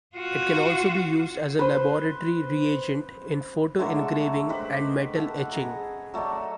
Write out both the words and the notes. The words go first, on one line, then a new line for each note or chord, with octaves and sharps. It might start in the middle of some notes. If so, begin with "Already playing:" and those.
It can also be used as a laboratory reagent in photoengraving and metal etching.
F4 F#4
B4 C5
D3 F#3 G#3 A3
G4 B4 C5 D#5
A4 F#5
G#4 A#5
F#3 A3 D5 D#5